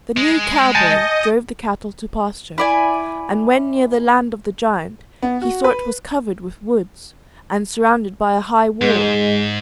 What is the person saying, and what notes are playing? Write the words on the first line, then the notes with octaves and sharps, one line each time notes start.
The new cowboy drove the cattle to pasture, and when near the land of the giant, he saw it was covered with woods and surrounded by a high wall.
G#3
D#5 G#5 A5 G6 A#6 C#7
E4 D5 G#5
B3
F#4
B4
G#2 G#3